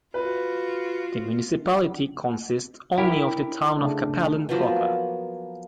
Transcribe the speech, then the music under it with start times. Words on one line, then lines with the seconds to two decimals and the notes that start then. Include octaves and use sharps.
The municipality consists only of the town of Kapellen proper.
0.14 F4 F#4 B4
2.98 E4 G4 A#4
3.79 C#3 A3 D4
4.49 F3 F#3 A#3 B3